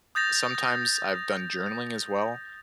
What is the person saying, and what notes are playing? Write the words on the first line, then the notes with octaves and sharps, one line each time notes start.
sometimes I've done journaling as well.
D#6 G6 A6 A#6 F7